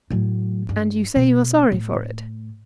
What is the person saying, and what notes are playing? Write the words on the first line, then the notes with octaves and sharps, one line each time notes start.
"And you say you are sorry for it."
A2 F#3
G2
B2
A2